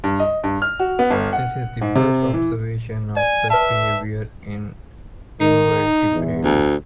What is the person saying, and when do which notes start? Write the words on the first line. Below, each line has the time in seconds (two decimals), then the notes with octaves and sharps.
This is the first observation of such behaviour in invertebrates.
0.04 G2
0.20 D#5
0.44 G2
0.62 F6
0.79 F#4
0.99 B3
1.11 G1
1.33 F#5
1.81 G#2
1.95 C3
2.34 E3
3.17 D5 G#5
3.50 B4 E5 A5
5.40 D#3 D#4
6.11 E2
6.44 D2